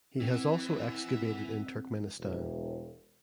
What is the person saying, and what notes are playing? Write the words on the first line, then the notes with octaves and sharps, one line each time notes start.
He has also excavated in Turkmenistan.
E3 C4 E5 F#5
E1